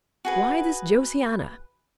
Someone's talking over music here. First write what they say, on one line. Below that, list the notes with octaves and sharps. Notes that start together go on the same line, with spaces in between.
Why this Josiana?
F#4 G#4 B4